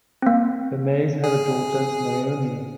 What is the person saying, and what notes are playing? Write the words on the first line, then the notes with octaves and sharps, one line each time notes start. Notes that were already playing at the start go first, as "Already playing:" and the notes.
The Mays have a daughter, Naomi.
A#3 C4
G#4